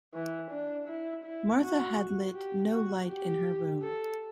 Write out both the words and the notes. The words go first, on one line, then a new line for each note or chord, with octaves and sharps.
Marthe had lit no light in her room.
E3
D4
E4
E4
F#4
G4
F#4
G4
A4